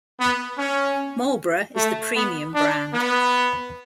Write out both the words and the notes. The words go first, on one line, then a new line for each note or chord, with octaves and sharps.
Marlboro is the premium brand.
B3
C#4
A3
B3
D4
B3